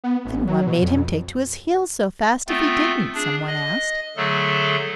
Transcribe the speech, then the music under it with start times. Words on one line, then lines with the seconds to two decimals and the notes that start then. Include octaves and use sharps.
"Then what made him take to his heels so fast if he didn't?" some one asked.
0.04 B3
0.25 A1
0.47 F#3
0.67 B2
0.82 F2
2.48 A3 B3 C4 F4
3.14 D4 G#4
3.48 D#5
4.17 D3 F#3 A3 G#4 A4